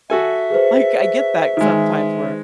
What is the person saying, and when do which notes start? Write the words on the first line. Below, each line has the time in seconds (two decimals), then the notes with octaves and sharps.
like, I get that sometimes where
0.10 F#4 A4 E5 G#5
0.50 G#4 B4 C5
1.57 D#3 G#3